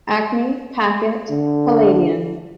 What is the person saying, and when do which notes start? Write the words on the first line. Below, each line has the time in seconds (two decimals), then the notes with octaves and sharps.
Acme Packet Palladion.
1.30 D3